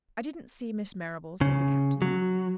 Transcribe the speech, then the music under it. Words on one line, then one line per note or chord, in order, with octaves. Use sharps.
"I didn't see Miss Marrable," said the Captain.
C#3
F#3